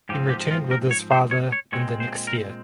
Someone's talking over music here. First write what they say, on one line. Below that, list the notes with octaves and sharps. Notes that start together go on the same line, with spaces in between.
He returned with his father in the next year.
G#2 F3 C4 G4
G4
F4
A#4
C#5
C5
C#5
C#5
A#2 G#3 C4 C#5
C5
A#4